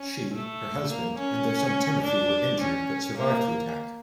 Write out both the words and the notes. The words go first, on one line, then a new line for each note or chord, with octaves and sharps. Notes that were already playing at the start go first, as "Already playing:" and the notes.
She, her husband, and their son Timothy were injured but survived the attack.
Already playing: C#4
A3
A#3
C#4
D4
C#4
A#3